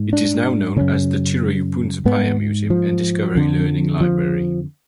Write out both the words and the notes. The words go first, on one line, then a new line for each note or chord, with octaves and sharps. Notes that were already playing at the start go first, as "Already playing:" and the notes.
It is now known as the Chirayu–Poonsapaya Museum and Discovery Learning Library.
Already playing: G#2
D4
F#2 C#3 C#4
G#2 B3
F3
F2 D3
F3